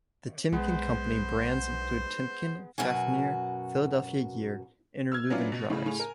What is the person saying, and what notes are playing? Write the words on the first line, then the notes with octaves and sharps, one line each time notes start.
The Timken Company brands includes Timken, Fafnir, Philadelphia Gear, Interlube and Drives.
B1 G#3 B3 C5
F#2 B2 F#4 G#5
E6 F6 G#6
F#3 B3 C#4 D4 E4 F4
B2
A2 C#3
A2 G#4 F7
A#4 G#5